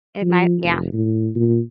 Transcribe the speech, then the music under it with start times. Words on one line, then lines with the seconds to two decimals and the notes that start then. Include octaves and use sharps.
It might Yeah.
0.22 F3
0.63 F1
0.93 A2
1.35 A#2